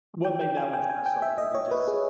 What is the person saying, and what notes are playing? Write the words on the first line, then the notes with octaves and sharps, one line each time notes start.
What made that one special? Was it just
G5
G5
G#5
G5
G#5
G5
E5
D#5
C#5
B4
G#4